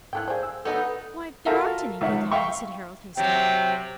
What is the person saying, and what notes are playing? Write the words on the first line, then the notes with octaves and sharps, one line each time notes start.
"Why, there aren't any good lions," said Harold, hastily.
G#2 E4 A4 G5 F#6
G#4 C5 D5 F5 G5
E6
F#3 G3 A3 B3 D#4 A4 G6
F4 F#4 A4 A#4 E5 F5
C#2 D#3 E5 F#5
E5 F5 G5 C#6
C3 F#3 G5